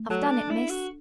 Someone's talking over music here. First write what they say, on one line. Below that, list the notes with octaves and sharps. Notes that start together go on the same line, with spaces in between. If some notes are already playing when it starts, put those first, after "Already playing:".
'I've done it, miss.
Already playing: A3
F#3 A4
D4
D4 E4
F#4